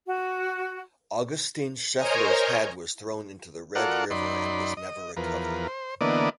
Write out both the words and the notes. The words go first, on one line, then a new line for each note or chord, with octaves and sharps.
Augustin Schoeffler's head was thrown into the Red River, and was never recovered.
F#4
A#4 C5 C#5 D#5 G#5 A#5
F4 F#4 A4 A#4 D5 F#5
F#2 D#4 D5 B5 C6
D#5
E2 F3 A#4 B4
C5
D3 E3 A#3 B3 D5 D#5